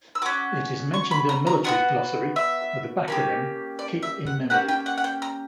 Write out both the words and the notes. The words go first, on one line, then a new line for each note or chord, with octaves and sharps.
It is mentioned in a military glossary with the backronym "Keep In Memory".
E6
C#4 F#4 D6
C#6
B5
A#5
A#5
B3 D4 F#4 F#5
E5
A#3 C#4 G4
D5
E5
F#5
A#3 C#4 G4 F#5
G5
F#5
F#5
G5
A#5